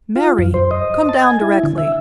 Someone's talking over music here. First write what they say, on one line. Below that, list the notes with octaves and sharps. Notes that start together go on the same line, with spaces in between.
"Mary! come down directly."
F4
F#2
C5
D#5
A5
G#5
E4
D3
E5